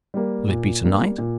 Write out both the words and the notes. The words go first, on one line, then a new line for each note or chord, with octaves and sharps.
"Will it be to-night?"
G3 A#3
A#2
G3 A#3
A#2